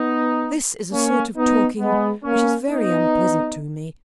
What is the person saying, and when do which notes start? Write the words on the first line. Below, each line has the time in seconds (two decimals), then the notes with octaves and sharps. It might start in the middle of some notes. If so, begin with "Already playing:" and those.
This is a sort of talking which is very unpleasant to me.
Already playing: B3 D#4
0.93 A#3 C#4
1.37 B3 D#4
1.80 G#3 B3
2.24 A#3 C#4
2.68 B3 D#4